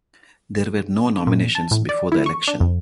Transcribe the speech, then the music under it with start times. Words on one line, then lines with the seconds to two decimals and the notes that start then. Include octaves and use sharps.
There were no nominations before the election.
1.27 A#2
1.55 A5
1.71 A2
1.89 D5
2.12 E4
2.26 C#6
2.48 D4
2.60 F2